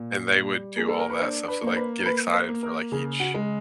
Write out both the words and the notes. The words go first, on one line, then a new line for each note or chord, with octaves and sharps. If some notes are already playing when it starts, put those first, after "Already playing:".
And they would do all that stuff, so, like, get excited for, like, each
Already playing: A#2
G3
A#3 G#4
A4
A#4
B4
D4 C5
B4
A#3 C5
B4
A#4
A#3 B4
C5
A#3
A#4
C#3 G#4
F#4
G#3